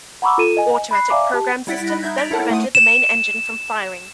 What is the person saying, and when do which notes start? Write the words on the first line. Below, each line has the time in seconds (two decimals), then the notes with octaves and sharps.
Automatic programmed systems then prevented the main engine from firing.
0.22 F#5 A#5 B5 C#6 D6 E6
0.38 F4 A4 D#7 E7
0.57 D#5 G#5
0.91 B5 F#6 C7
1.10 D5 E5 F5 G#5 A#5 D6
1.34 G4 A5
1.67 G3 E4 F#5 A6 B6 D7
1.86 B5 F#6 A#6
2.02 D#4 E5 G6 G#6
2.17 G6 A6 B6 D7 F7 F#7
2.31 E4 A4 A#4 C#5 F#5 A5
2.50 A3 F#5 C6 D#6 D#7
2.75 E7